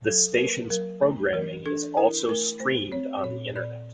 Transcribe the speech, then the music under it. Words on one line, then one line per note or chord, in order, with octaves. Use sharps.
The station's programming is also streamed on the Internet.
F#3 A4
B4
A#3 A#4
F#3 A#4
A3
E3 A#4
D4 A4
E4 A#4
A3 A#4
A3 C5
C4 C#5
A#2 C#5
A#2 D5